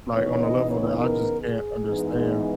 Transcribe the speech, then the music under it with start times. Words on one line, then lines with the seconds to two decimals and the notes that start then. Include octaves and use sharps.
like on a level that I just can't understand,
0.12 C#3 E3 B3 D#4 C#5
0.42 D#5
0.70 C#5
0.99 A#4
1.41 G#4
1.84 G#2 E3 G#3 B3 D#4